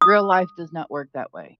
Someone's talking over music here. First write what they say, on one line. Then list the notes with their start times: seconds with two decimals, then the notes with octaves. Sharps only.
Real life does not work that way.
0.02 D#6